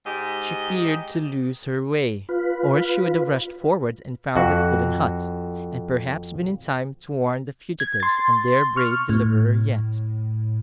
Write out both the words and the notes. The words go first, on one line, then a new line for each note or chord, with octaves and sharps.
She feared to lose her way, or she would have rushed forward and found that wooden hut, and perhaps been in time to warn the fugitives and their brave deliverer yet.
G#2 G4 D#5
F4 B4
F2 F#4
G#6
C6 A6
C#6 F6
A2